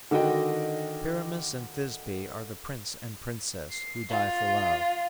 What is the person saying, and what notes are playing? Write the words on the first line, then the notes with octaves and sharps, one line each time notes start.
Pyramus and Thisby are the prince and princess, who die for love.
D3 D#3 F#4 D#5 G5
C7
F4